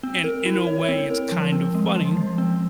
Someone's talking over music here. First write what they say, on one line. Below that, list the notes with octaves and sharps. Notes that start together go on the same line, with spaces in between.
and in a way, it's kind of funny.
C4
A#4
E4
C#5
C4
A#4
F3
C4
G#3
F3
F3
C4